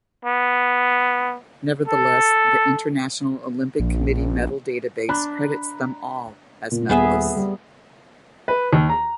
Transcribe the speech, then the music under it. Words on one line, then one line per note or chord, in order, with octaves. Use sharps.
Nevertheless, the International Olympic Committee medal database credits them all as medalists.
B3
A4
A#1
D4 A#5 B5 F#6
A#2
D#1 B3 G#4 E5
G3
B4
D#2
A#5